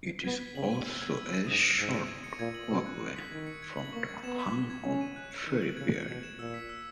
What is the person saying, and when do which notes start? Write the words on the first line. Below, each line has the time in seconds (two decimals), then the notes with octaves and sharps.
It is also a short walk away from the Hung Hom Ferry Pier.
0.24 B3 G#6
0.39 B6
0.55 C#3 F#7
0.71 D#7
0.86 E6
1.01 G#6
1.17 E6
1.32 D#7
1.47 G#2 D#6
1.63 A#6
1.78 G#2 D#6
1.93 D#7
2.08 G#6
2.24 C#7
2.39 A#2 G#6
2.55 F#7
2.70 B2 C#6
2.86 F#6
3.01 C#6
3.16 B6
3.31 D#3 G#6
3.47 C#7
3.62 G#6
3.77 F#7
3.93 A#3 C#6
4.08 G#6
4.23 B3 E7
4.39 B6
4.54 C#6
4.70 G#6
4.85 C#4 C#6
5.01 D#7
5.16 F#6
5.31 C#7
5.47 D#3 F#6
5.62 F#7
5.77 C#3 G#6
5.93 C#7
6.08 B2 G#6
6.23 E7
6.39 A#2 E6
6.54 B6
6.69 E6